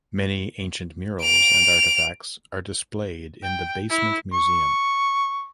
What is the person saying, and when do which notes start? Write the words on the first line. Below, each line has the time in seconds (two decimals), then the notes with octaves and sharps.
Many ancient murals and artefacts are displayed in the basement Museum.
1.22 D7 F7
3.43 G5
3.90 E4
4.34 C#6